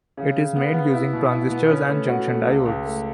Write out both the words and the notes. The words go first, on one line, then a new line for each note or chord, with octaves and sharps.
It is made using transistors and junction diodes.
C#3
C#3
B3
B3
E4
B2
E4
B3
C#4
A3
F#4
A3
C#2
C#2
A3